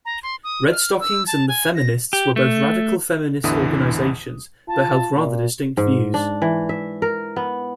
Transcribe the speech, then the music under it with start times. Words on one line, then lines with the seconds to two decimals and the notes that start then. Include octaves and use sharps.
Redstockings and The Feminists were both radical feminist organizations, but held rather distinct views.
0.05 A#5
0.23 C6
0.44 D#6
0.71 F6
1.00 E6
1.27 A5
1.48 G#5
1.75 A#6
2.13 G4
2.36 A3
3.43 A1 E2 D3 E3 E4 D#6
4.68 F4 A5
5.15 A#2
5.77 G#2
6.14 D4
6.42 E3
6.69 E5
7.02 A#4
7.36 B3